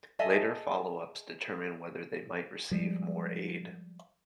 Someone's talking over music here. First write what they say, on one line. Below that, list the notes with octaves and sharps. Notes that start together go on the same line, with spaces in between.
Later follow-ups determine whether they might receive more aid.
G#4 A4 D#5 E5
F3 G3 G#3